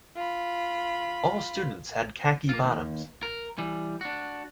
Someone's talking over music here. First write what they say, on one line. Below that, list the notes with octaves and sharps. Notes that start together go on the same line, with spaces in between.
All students had khaki bottoms.
F4 B5
A#3 F4
D#2
A#4
E3 G3
D4 F#4